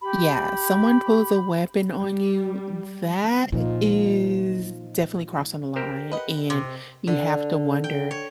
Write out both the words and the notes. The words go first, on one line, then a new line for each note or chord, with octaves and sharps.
Yeah, someone pulls a weapon on you, that is definitely crossing the line, and you have to wonder,
G4 B5
G3
A#2 F3 D#4 F4
G4 A#4 C5
B4 D#5 F#5
C3
D3
G5
C#5